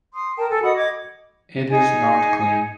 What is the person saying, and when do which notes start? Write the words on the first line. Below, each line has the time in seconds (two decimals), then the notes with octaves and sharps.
It is not clean.
0.14 C6 D#6
0.37 A#4 G5 A5
0.50 A4 G#5
0.63 F#4 D#5 B5 D#6
0.76 D#5 D6 G#6
1.69 D#4 G#4 G#5